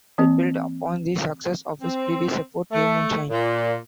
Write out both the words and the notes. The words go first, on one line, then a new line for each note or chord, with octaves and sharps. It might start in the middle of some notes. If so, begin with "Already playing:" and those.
It built upon the success of his previous effort, "New Moon Shine".
E3 A#3 C4 D#5
C4
A3
A#2